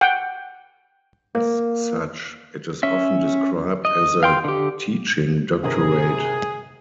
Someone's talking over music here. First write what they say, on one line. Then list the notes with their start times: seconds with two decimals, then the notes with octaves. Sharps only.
As such, it is often described as a "teaching doctorate".
0.01 F#5 G5
1.35 A#3
2.83 C#4 E5
3.85 D#5
4.23 F5 G5 C6
4.44 D3 G4
5.63 G1 C3 G#4 A#4